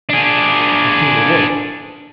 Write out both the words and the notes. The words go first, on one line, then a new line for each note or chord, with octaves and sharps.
The king awoke.
D4 G#4